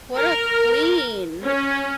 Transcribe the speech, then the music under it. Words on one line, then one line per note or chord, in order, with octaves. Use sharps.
What a queen!
A#4
C#4